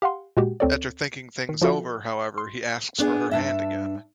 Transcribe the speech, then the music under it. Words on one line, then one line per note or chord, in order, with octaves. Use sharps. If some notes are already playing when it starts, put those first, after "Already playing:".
After thinking things over, however, he asks for her hand again.
G4 F5 F#5 C6
A#2 G#3 F#4 G4
D2 C4 A4 C#5 D5
D#3
F3 F4 F#4 A4 E5
C6
B3 D4 G#4
G2 D4 E5